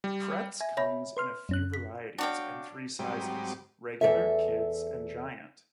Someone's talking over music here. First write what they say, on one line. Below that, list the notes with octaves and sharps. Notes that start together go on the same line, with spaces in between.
Pretz comes in a few varieties and three sizes: Regular, Kid's, and Giant.
G3
E5 G#5
C#5 E5 B5
B4 C6 F6
F#2 C#4 F#6
B6
D4 F#4 F5 G5
G#2 F#3 G3 C4 G4 D#6
E2 D#3 A4 E5